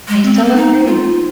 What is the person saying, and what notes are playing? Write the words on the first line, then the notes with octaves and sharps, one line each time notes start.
I so agree.
G#3
C4
C4
A#3
D#4
F4